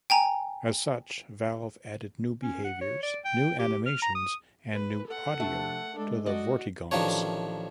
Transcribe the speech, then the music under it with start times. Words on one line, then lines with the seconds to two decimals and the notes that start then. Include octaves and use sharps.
As such, Valve added new behaviours, new animations, and new audio to the Vortigaunts.
0.10 G5 G#5 A#5
2.43 C#4
2.64 F#5
2.81 C#5
3.03 D5
3.25 G5
3.59 G4
3.86 F6
4.02 A#5
4.15 D#6
4.73 B4
5.07 A4 F#5
5.40 C3 F3 A3 D4
5.95 G#3 D4 A4
6.26 F#4 D5 D#5
6.91 A1 D#3 F3 D4 C#5